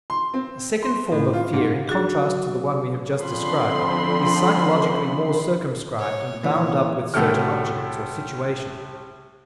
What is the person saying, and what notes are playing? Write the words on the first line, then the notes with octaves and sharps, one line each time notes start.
A second form of fear in contrast to the one we have just described is psychologically more circumscribed and bound up with certain objects or situations.
C6
C4
C6
A2
F4
G#2
F#3 D4 F#4 G#4
D3 F3 C4 B5 C6
C#5
A#2 E3 C#5
C2 A2 F#4 A4 G5 F6